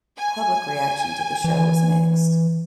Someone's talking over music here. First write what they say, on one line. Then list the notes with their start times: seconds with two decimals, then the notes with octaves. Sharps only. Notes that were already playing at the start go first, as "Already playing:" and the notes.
Public reaction to the show was mixed.
0.18 G#5
1.44 E3